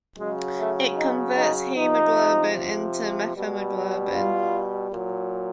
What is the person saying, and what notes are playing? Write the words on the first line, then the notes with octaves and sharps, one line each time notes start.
It converts hemoglobin into methemoglobin.
C#3 F#3 G#3
A3
D#4
D#4
C3 F3 D#4
B2 G3
F4
A#2 F#3